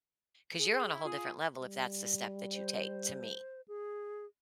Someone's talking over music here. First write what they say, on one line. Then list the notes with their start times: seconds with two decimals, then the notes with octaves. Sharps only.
'cause you're on a whole different level if that's the step that you take, to me.
0.59 G#4
0.72 C4
0.89 E4
1.05 F4 G#4
1.60 G3
2.53 C5
3.68 G#4